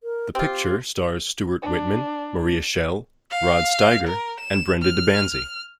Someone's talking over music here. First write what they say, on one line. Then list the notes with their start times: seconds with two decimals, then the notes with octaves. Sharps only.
The picture stars Stuart Whitman, Maria Schell, Rod Steiger and Brenda De Banzie.
0.03 A#4
0.35 C4 F4 G4
1.62 D4
3.31 F5
4.07 A#4
4.40 E7
4.82 F6